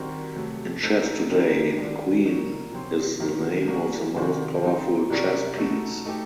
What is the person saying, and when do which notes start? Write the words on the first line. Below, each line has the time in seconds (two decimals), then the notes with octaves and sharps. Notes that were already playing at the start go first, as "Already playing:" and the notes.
In chess today the Queen is the name of the most powerful chess piece.
Already playing: D#3 G3 C4 F#4 A#4
0.35 C3 F#3 A3
0.82 A3 D#4 A4 C5
1.30 D3 F#3 A#3 D#4 G4
1.77 D#3 G3 D4
2.25 A#2 F#3 A#3 D#4 F#4
2.72 C3 F#3 C4
3.20 C3 D#3 F#3 A#3
3.67 G3 A#3 F#4 A#4
4.15 C3 D#3 G3 C4 F#4
4.63 F#3 C4 D#4
5.10 C3 G3 D4 F#4 A#4
5.57 A3 D#4 F#4
6.05 A3 D#4 G4